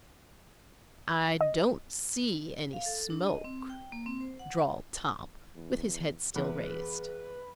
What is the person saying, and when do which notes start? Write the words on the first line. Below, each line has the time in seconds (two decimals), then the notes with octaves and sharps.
"I, don't, see, any, smoke," drawled Tom, with his head still raised.
1.41 D#5
2.73 F5
2.86 A4
3.10 D4
3.27 D#5
3.44 C4
3.70 G5
3.92 A#3
4.06 C4
4.21 C5
4.39 F#5
5.55 E2
6.36 E2 G#4 B4